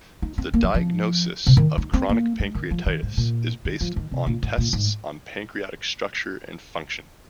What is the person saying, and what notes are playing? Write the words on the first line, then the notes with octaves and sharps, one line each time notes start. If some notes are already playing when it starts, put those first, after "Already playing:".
The diagnosis of chronic pancreatitis is based on tests on pancreatic structure and function.
D#4
C4
A#3
F3
F3
C3
D#3
D#4
C4
A#3
G#3
D#3
F3
D#3
G#2
A#2
D#3
F3
D#3
C3
A#2
G#2
A#2
G#2